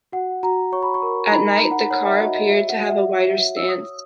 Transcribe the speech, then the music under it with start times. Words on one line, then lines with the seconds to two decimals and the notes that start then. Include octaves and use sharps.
At night, the car appeared to have a wider stance.
0.12 F#4 F#5
0.43 F#4 A#5
0.72 C#5 C#6
0.83 B5
0.94 C#6
1.02 A#4
1.26 A#5
1.31 D#4 B5
1.51 A#5
1.61 D#4
1.71 F#5
1.91 C#5 F#5
2.06 E5
2.20 F#4 D#5
2.35 D#5
2.50 C#5 E5
2.69 F#5
2.80 F#4
2.89 E5
3.09 F#4
3.28 E5
3.38 C#5
3.57 E6
3.68 C#5 D#6